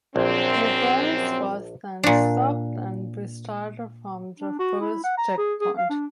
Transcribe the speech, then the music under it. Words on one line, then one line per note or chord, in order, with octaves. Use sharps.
The race was then stopped and restarted from the first check point.
A#1 F#2 C4
A#2 D4
D4
F#4
E4
F#5
A#5
G#4
G#4
F5
D4